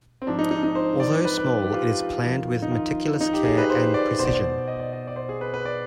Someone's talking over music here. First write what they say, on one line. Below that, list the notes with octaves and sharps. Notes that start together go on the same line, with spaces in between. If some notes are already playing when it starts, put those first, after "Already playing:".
Although small, it is planned with meticulous care and precision.
C4
G#2 F3 D4
D#4
D#4
D#4
C5
D5
B4
B4
G4
F4
F2 D#3
D#4
F4
D#4
G4
G#4
B4
C5
D5
B2 C5
D5
C5
D#5
D5
D#5
D5
C5
G#4
B4
B4
D5